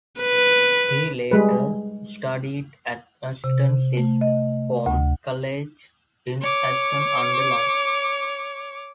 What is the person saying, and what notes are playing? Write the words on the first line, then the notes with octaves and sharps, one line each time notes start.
He later studied at Ashton Sixth Form College in Ashton-under-Lyne.
B4
G3 G#3 B4
C3
A3
D#5
D2
C#5 D6